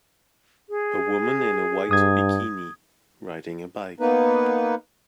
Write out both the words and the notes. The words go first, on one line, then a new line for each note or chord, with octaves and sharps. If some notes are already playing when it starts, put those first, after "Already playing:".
A woman in a white bikini riding a bike.
G#4
G2 D#6 G#6
A#3 B3 D#4 B4